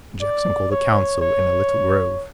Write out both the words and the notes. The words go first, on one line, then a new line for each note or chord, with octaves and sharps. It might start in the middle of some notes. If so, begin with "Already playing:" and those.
Jackson called a council in a little grove.
D5
C#5
C#5